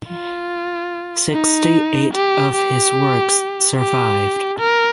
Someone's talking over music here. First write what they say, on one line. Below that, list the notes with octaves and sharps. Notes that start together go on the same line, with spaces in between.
Sixty eight of his works survived.
F4
D#4
G4
G4
G4
A#4